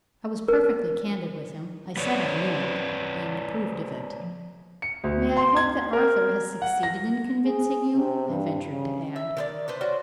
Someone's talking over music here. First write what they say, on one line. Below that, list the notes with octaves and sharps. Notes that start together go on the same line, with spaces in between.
I was perfectly candid with him--I said I knew it, and approved of it. "May I hope that Arthur has succeeded in convincing you?" I ventured to add.
A#4
F3 B4 C#5 D5
C#7
D2
C6
G#6
A#4
F#5
A#6
G#4
C3
G2
C#3
E5
D#3 C5 D5
D4 B4 C5
C#4 F#4 C5 D5